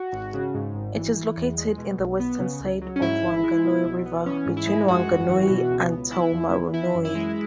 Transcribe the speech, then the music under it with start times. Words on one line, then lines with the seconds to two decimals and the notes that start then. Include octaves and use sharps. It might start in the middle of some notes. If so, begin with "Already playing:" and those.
It is located on the western side the Whanganui River between Wanganui and Taumarunui.
Already playing: F#4
0.13 G#1
0.34 C#3
0.55 G#2
0.75 G#1
0.96 E3
1.16 E3
1.37 E2
1.58 G#3
1.78 B2
1.99 B1
2.20 B3
2.40 C#3
2.60 C#2
2.82 F#3
2.96 C#4
3.01 G#2 E4
3.23 G#1
3.43 G#3
3.64 B2
3.85 B1
4.06 B3
4.26 E3 C#4
4.46 G#2
4.57 E4
4.67 G#3
4.88 F#2 F#4
5.08 G#1
5.29 E3
5.49 B2
5.71 C#2
5.92 B3
6.12 E3 E4
6.32 E2
6.53 B3
6.74 E3 E4
6.95 F#2
7.05 E4
7.15 G#3